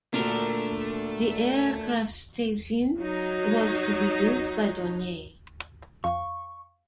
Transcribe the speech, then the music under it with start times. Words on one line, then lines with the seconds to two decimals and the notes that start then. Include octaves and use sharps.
The aircraft's tailfin was to be built by Dornier.
0.14 D2 A#2 A3 D4 A#4
2.99 F#3 D#4
6.04 F2 F5 C#6